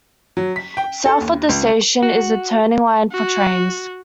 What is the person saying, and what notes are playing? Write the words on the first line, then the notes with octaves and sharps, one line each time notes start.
South of the station is a turning line for trains.
F#3
B6
G5
A4
D#2
C#2
F#4
F#4